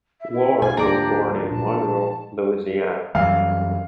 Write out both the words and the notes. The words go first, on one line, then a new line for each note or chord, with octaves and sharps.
Ward was born in Monroe, Louisiana.
E5
E4
B2 F4 G#5
D2 G#2 F3 A#3 D4 G4 D5 A#5
A#2 A5
F#2 E3 G3 F5